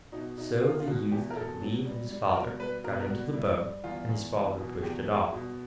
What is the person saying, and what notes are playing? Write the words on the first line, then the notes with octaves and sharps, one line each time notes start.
So the youth took leave of his father, got into the boat, and his father pushed it off.
B2 D#4
B2 D#4
E2 F4
F4
B2 F#4
E2 G4
A#4
B2 A4
F#3
G3
G3
B2 A#4
G3 B4
B2 A#4
B4
A#4
G3 F#4
G3 E4
G3
E2 F4
E2
E2
B2
G#4
E2 G4
G3 G#4
B2